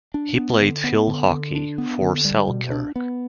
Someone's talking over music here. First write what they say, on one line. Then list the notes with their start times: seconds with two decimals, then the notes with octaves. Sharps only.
He played field hockey for Selkirk.
0.14 D4
0.38 B3
0.61 D3
0.84 B3
1.07 D3
1.31 D3
1.55 D4
1.78 B3
2.02 D3
2.25 G3
2.48 B2
2.71 D4
2.96 B3